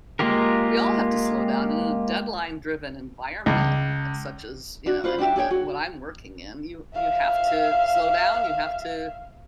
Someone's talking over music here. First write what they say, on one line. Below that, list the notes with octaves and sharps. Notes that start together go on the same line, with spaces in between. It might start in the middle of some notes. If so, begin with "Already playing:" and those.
we all have to slow down and in a deadline-driven environment such as, you know, any n what I'm working in, you you have to slow down, you have to
G#3 A#3 F4 G4 A#4
C#2
D4 F#4
F4 B4 C5
D4 F#4 G4 E5
D4 G#4 C#5 G5
F#4
E5 F5